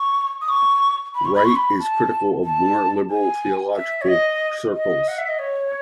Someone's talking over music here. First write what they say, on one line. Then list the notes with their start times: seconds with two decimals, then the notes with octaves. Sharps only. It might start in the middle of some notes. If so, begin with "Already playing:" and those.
Wright is critical of more liberal theological circles.
Already playing: C#6
0.41 D#6
0.49 C#6
1.15 B5
1.25 C#6
1.35 B5
1.45 C#6
1.55 B5
1.80 A5
2.44 A5
3.10 G#5
3.76 E5
4.01 C#5
4.08 D#5
4.74 D#5
5.08 F#5
5.18 E5
5.29 D#5
5.39 C#5